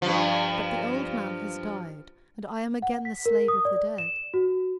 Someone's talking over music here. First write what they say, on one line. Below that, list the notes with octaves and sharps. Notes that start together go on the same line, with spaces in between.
But the old man has died, and I am again the slave of the dead.
G2 F3
F#5
B6
A#4
D#6
D5
E7
F#4